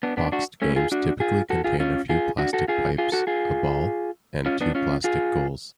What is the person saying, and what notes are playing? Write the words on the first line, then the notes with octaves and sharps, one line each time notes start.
Boxed games typically contain a few plastic pipes, a ball, and two plastic goals.
B3 D4
B3 D4
D4 F#4
A3 C#4
F4 G#4
D4 F#4
F4 G#4
F#4 A4
F4 G#4
C#4 F4
F4 G#4
D4 F#4
F#4 A4
F4 G#4
F4 G#4
F#4 A4
F4 G#4
C#4 F4
B3 D4
C#4 F4
F4 G#4